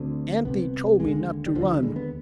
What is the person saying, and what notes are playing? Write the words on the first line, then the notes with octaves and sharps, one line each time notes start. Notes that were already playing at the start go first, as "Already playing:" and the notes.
'Aunty told me not to run.
Already playing: D2 D3 C4
C2 C3 B3
D#2 D3 G#3
G3
D#2 D3 F3
G3
G#3
B3